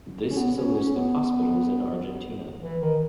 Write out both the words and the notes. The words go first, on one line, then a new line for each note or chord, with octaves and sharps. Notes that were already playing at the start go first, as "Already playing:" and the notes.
This is a list of hospitals in Argentina.
C#4
B3
C#4
C#4
B3
E3
D#3